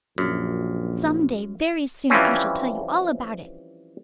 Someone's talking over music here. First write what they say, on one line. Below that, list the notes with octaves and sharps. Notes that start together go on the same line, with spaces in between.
Some day, very soon, I shall tell you all about it.
A#1 F#2
E3 F3 G3 C4 C#4